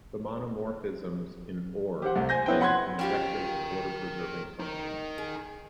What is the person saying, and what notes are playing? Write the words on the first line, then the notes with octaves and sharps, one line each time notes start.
The monomorphisms in Ord are the injective order-preserving functions.
G4 C5 F#5
C2 A3
C5 G#5 G6 A#6
B3 C#4 E4 B4 C5 G5
F#5 B5 C6 F#6 G#6
C#4 F4 G4 A#4 G5
D#4 A#4
G#4